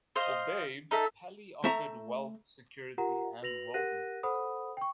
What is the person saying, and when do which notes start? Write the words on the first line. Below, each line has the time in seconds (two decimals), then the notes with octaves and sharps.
For Babe, Paley offered wealth, security, and worldliness.
0.15 C5 D#5 F5
0.91 D#4 A4 E5
1.64 A3 E5 A#5
2.98 F4 G4 A#4 F#5 A#5
3.42 F#4 B4 A#6 F7 F#7
3.74 G4 A#4 F#5 F#6 A#6 D#7
4.23 A4 C5 F#5 B5 D#6
4.77 G5 C#6